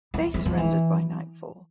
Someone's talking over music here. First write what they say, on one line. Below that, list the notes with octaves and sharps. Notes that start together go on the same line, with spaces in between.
They surrendered by nightfall.
E3
E3
F3
E3